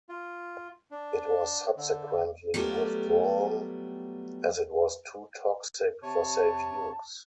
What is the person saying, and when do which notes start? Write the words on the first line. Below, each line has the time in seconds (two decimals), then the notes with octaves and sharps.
It was subsequently withdrawn, as it was too toxic for safe use.
0.09 F4
0.91 D4
1.77 D3
2.54 F#3 G3 A3 B3 F4 G4
6.03 C3 C#5 A5